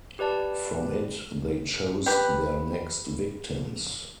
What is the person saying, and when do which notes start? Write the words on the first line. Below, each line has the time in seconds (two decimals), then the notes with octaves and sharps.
From it they chose their next victims.
0.19 G4 B4 D5 A5
2.06 G4 B4